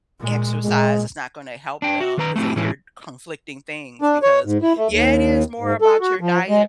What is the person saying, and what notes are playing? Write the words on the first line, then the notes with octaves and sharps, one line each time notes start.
exercise is not gonna help them, 'cause they hear conflicting things. Because Yeah, it is more about your diet,
A#2 G#3
A#2 G#3
D4 G5
F#4
D#3 B4 A#5
A3 C4 E4 G4
A2 E3 G#3 C#4 E4
D4
C#5
G#2
E4
A3
D#2
G#2
A4
F#4
F3
G#3